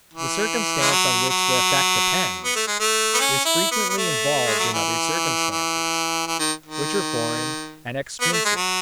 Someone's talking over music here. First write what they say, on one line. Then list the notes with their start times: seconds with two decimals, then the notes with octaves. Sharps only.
The circumstance, on which the effect depends, is frequently involved in other circumstances, which are foreign and extrinsic.
0.14 E3
0.81 G#3
0.91 F#3
1.29 F#3
2.44 B3
2.55 A3
2.67 G#3
2.79 A3
3.14 B3
3.20 C#4
3.45 E4
3.72 B3
3.89 B3
3.97 A3
4.45 G#3
4.59 F#3
4.73 E3
5.51 E3
6.27 E3
6.39 D#3
6.66 D#3
8.21 B3
8.32 A3
8.45 G#3
8.56 F#3